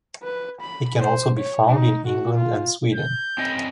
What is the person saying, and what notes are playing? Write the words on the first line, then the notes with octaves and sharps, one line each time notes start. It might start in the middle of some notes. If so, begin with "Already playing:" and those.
It can also be found in England and Sweden.
B4
B5
C5
C#5
D#4
F#4
F4
G6
C4 C#4 D#5